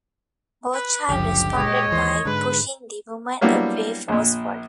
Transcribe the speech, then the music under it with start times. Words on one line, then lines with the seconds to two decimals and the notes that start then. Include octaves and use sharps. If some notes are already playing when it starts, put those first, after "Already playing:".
Bouchard responded by pushing the woman away forcefully.
0.73 B4
1.09 F#1 C#2 F#2 D3 F3 G4
1.54 A#2 G#3 C#5 D#5
1.92 D#2 E3 C5
2.25 G#2 D3 G#3 B4
3.41 F#3 G3 A#3 B3 D4 E4
4.08 A#1 A#2